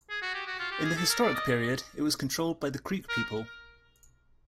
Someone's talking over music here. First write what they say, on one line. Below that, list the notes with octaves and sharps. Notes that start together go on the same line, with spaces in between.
In the historic period, it was controlled by the Creek people.
G#4
F#4
G4
F#4
F4
G4
G#4
A4
A#4
D5
D#5
A#4